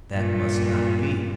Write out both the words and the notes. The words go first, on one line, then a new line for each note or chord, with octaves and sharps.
That must not be!
G2 A#2